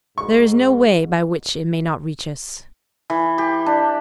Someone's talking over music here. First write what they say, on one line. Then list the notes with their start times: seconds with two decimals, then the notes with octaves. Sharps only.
There is no way by which it may not reach us.
0.18 G#2 C#6
3.10 E3
3.38 G4
3.66 D4